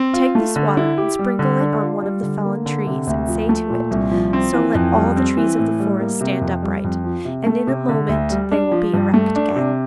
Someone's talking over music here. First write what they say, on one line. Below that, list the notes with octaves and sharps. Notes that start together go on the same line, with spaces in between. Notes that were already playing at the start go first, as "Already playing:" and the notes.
'Take this water and sprinkle it on one of the fallen trees, and say to it: "So let all the trees of the forest stand upright," and in a moment they will be erect again.'
Already playing: C4
F4
A3
D3
E4
G4
G3
D3
D4
F4
G3
D3
A#3
D3
C3
D2
F3
A3
A#2
C2
F3
C4
E3
F2
G3
C4
E3
A2
G3
A#3
C3
F2
G3
F2
F3
C3
A3
C3
D3
D2
G3
D4
F3
G2
A3
D4
C3